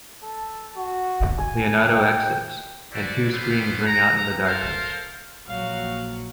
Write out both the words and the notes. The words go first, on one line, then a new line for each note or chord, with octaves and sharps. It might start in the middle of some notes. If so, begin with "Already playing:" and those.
Leonardo exits, and two screams ring out in the darkness.
A4
F#4
G#5
G5
E4 F#4 A4 C5 D5
B3 C#4 D4 A4 B4 C5
A#5
A4 A#4 C5 F5
A#1 F#3 F#4 F5